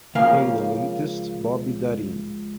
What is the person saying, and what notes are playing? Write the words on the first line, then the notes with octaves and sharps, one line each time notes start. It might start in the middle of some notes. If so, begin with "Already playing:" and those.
Play the latest Bobby Darin.
C#2 C#3 F3 A#3 C#4 F5